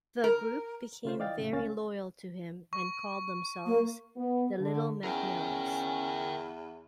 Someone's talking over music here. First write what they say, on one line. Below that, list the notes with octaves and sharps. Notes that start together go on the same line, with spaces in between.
The group became very loyal to him, and called themselves the "Little McNellys".
A#4
C#3 F4 C5
E3 D5 D#5 F5 G5 A6
A2 C#3
C#2 C#4 F5 A6
C#6
A#3
B3
D3
E2 C#4 A#4 G5